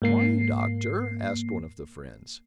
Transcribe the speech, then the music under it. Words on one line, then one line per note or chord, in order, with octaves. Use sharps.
"Why, doctor?" asked one of the friends.
G#2 A#3 C7